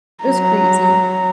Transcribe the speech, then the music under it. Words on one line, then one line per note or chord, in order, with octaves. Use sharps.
it was crazy.
F#3 A#5